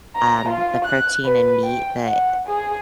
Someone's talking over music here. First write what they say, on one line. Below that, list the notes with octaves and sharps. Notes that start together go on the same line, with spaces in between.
um, the protein in meat, the,
A#5
F4
F#6
B4
G5
F#5
G#4